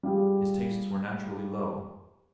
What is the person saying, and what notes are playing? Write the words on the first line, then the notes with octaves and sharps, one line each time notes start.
His tastes were naturally low.
G3 F4 G4 G#4